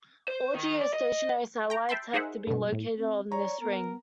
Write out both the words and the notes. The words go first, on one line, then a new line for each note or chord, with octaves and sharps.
All geostationary satellites have to be located on this ring.
C5
D#3
D5
D#5
G5 A#5
E5 G5 A5 B5 C6
D#4 G#4 A#4 C5 E5 F#5
G2 B2
A2
C4
C#5 D5 A#5
B3 A#4